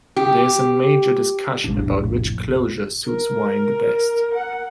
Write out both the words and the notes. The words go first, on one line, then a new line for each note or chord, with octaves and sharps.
There is a major discussion about which closure suits wine the best.
G4
F1 A#1 A2 D4
A#4
F#5